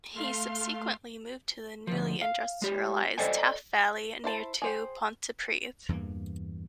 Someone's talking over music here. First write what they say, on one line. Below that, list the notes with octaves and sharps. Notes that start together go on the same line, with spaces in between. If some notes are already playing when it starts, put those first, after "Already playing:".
He subsequently moved to the newly industrialised Taff Valley near to Pontypridd.
A3 F5 C6
D2 F3
F5
G#3 G4
A4 C5 D5 D#5 G5 G#5
E4 C5 A5
G#4 C5 G5
E2 G2 E3 A#3